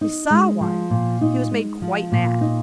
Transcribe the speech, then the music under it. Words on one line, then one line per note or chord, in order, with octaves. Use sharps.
If he saw one he was made quite mad.
D#4
G#3
F3
A#2
D#4
G#3
F3
A#2
D#4